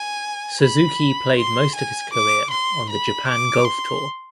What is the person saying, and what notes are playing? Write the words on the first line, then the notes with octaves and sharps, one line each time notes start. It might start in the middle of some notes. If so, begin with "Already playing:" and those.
Suzuki played most of his career on the Japan Golf Tour.
Already playing: G#5
B5
C6
G#5
D6
C6
B5
D6
C6